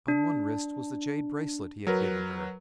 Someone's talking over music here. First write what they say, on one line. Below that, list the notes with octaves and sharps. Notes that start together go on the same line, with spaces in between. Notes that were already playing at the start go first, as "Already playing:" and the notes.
On one wrist was the jade bracelet he had given her.
D4
F#3 A#4 B4